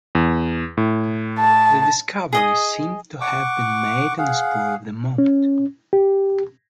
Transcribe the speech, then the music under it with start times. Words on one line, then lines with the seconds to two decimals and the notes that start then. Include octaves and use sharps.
The discovery seemed to have been made on the spur of the moment.
0.15 E2
0.77 A2
1.39 A5
2.33 G#4 D#5 D#6
3.21 F#5 C#6 D6
4.18 G#4 F5 F#5
5.18 C#4
5.93 G4